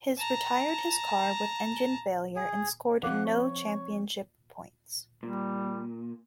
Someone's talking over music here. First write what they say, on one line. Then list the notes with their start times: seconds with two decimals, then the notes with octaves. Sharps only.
His retired his car with engine failure and scored no championship points.
0.17 A5 A#5
2.36 G#4
3.03 F3 C4 G#4 F5 F#5 D6
3.25 C#5
5.23 A#2 G3